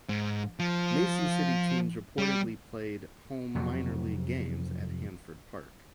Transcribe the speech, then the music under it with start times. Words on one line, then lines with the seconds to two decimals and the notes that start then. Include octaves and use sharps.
Mason City teams reportedly played home minor league games at Hanford Park.
0.09 G#2
0.59 F3
2.18 G3
3.55 F2 C3 F#3